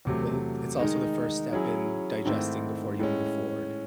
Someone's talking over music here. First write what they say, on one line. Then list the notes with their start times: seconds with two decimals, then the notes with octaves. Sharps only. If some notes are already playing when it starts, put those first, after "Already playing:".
i it's also the first step in digesting before you move forward.
0.05 E2 C3 F#3 A3
0.79 D#3 G#3 D#4
1.53 F#3 C#4 E4 G#4
2.25 G#2 D#3 A3 C4 E4
2.99 A2 G#3 C#4